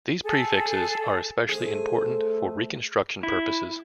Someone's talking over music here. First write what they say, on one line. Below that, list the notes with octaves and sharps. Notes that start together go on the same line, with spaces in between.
These prefixes are especially important for reconstruction purposes.
G#4 A4
A3 G#4 A4 C5
E4